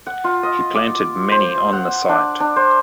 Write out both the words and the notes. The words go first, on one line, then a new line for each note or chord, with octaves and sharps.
He planted many on the site.
F#5
F4
D#5
D6
C5
F#5
D4
D4
C5